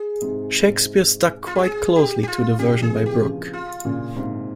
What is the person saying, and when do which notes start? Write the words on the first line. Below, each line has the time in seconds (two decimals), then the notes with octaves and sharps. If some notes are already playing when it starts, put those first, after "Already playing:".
Shakespeare stuck quite closely to the version by Brooke.
Already playing: G#4
0.22 G#2 C3
0.69 G#2 C3
1.47 F4
1.56 G4
1.63 G#4
1.96 G4
2.23 G4
2.28 F4
2.59 A#2 C#3 G4
2.79 F3 G#4
2.90 C3 E3
3.06 G4
3.22 C#3 F3
3.53 F4
3.85 A#2 C#3
4.16 G#2 C3